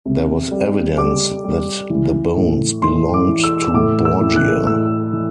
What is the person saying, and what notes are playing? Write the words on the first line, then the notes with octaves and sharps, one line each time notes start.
There was evidence that the bones belonged to Borgia.
C3
G3
G3 D6
G3
E3
A2
E3 C6
D6
E3
E6
A2 D6
E6
E3
F#6
A2 E6
E3